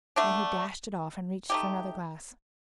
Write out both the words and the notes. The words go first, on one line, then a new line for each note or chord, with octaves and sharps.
Then he dashed it off, and reached for another glass.
D3 A3 D4
A3 D#4 G4